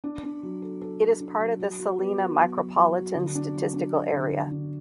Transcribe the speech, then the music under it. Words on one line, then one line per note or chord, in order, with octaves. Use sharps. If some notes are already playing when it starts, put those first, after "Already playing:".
It is part of the Salina Micropolitan Statistical Area.
D4
D4
F#3
A4
A4
A4
D4
F#3
F#4
F#4
B3
F#4
F#3
F#3
F#3
F#4
D3
D4
F#3
D4
F#3
D3
D3
D3